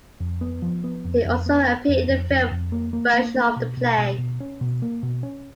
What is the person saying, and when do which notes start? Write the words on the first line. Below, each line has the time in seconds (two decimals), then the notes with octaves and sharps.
He also appeared in the film version of the play.
0.20 F2
0.41 B3
0.62 F3
0.84 B3
1.05 F2
1.25 F2
1.46 B3
1.68 B3
1.89 F2
2.09 F2
2.30 F2
2.51 F2
2.72 A#3
2.93 A#3
3.14 A#3
3.35 A#3
3.56 B2
3.77 B2
3.98 B2
4.18 B2
4.40 C#4
4.61 B2
4.82 A#3
5.03 B2
5.23 C#4